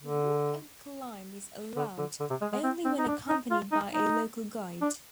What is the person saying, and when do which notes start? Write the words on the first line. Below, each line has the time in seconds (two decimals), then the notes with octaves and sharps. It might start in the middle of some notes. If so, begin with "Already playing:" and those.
The walk and climb is allowed only when accompanied by a local guide.
0.02 D3
1.77 D3
1.98 D3
2.20 D3
2.30 C3
2.42 G#3
2.53 G#3
2.64 C4
2.85 C4
2.98 D#4
3.08 D4
3.29 D#4
3.51 F4
3.72 D#4
3.94 D#4
4.82 D4